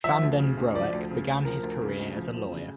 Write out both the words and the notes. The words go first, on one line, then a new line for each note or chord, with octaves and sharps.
Van den Broek began his career as a lawyer.
F3 E5
D2
C#3
D2
F3 D5
D2
C#3
D2
F3 A#4
D2
C#3
D2
F3
D2
C#3